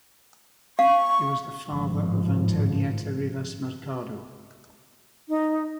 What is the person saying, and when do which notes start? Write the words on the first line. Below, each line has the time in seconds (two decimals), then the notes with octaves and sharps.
He was the father of Antonieta Rivas Mercado.
0.79 F5 C#6
1.67 G#1 F#2 A2 F3
5.29 D#4